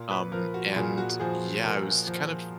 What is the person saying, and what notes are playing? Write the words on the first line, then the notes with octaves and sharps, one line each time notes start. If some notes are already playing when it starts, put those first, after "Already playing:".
Um, and yeah, it was kind of
Already playing: A#2
B4
F3 A#4
F#4
A#2 G#4
F#4
F3 G#4
A#2 A#4
F3